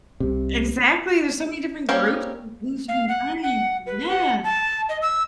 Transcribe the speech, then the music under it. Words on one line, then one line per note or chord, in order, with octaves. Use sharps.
Exactly, there's so many different groups and things you can find, yeah.
C2 C3
G3 A#3 C4 C#4 A#4
F5
F#5
F#5
B4
F#5
A5
D#5
E6